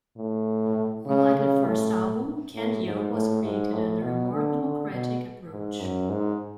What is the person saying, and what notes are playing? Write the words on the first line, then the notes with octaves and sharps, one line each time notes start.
Unlike the first album, "Candy-O" was created under a more democratic approach.
A2
C#3
C#3
A2
A2
G#2
A2
G#2
A2
B2
D3
D3
B2
G#2
F#2
G#2